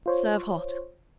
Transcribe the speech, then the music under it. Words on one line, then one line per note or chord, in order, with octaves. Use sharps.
Serve hot.
F4 C5 C#5